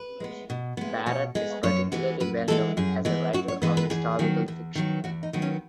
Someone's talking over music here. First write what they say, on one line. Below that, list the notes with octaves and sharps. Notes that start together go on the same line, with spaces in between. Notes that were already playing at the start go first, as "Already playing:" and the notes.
Barrett is particularly well known as a writer of historical fiction.
Already playing: B4
G#3 B3
B2
G#3 B3
B2 C#5
G#3 B3
F#2 C#5
E3 G#3 B3
F#2 B4
E3 G#3 B3 A4
F#2 G#4
E3 G#3 B3
F#2 F#4
C#5
E3 G#3 B3 B4
B4
E2 G#4
D#3 F#3 B3
E2
D#3 F#3 B3
E2 F#4
D#4
D#3 F#3 B3
C#4